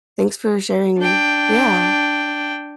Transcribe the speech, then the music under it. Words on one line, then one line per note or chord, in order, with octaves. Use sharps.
thanks for sharing Yeah,
D4 G5